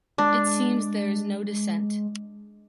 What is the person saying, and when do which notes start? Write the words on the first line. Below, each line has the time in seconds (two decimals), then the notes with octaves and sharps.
It seems there is no dissent.
0.18 G#3 D4